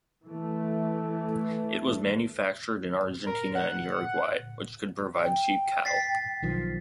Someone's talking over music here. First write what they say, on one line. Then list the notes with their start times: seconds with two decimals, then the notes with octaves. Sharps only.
It was manufactured in Argentina and Uruguay which could provide cheap cattle.
0.25 E3 A3
3.27 A#4
3.55 F#5
5.23 G5
5.85 A6 B6 C7
6.43 B1 D#3 F3